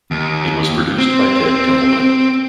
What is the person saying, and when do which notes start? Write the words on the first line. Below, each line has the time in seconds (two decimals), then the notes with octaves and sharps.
It was produced by Ted Templeman.
0.11 D#2
0.98 C4